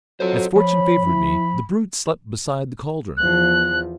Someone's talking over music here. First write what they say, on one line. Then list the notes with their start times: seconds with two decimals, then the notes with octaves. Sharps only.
As fortune favoured me, the brute slept beside the caldron.
0.20 F#3 F4 A4 C5
0.56 F3 C#5 B5
1.06 E4
3.16 E2 F3 F#6